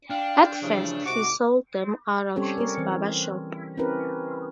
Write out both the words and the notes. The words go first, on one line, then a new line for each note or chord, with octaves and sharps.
At first, he sold them out of his barber shop.
D4 F5 G5
G2 C#3 E3 F3 A3
C2 G#2 C3 F#4 D6
G3 C4 C#4 G4 A4 C#5
A#4 C#5
E3 C4
C4 C#4 E4 G4 A#4 B4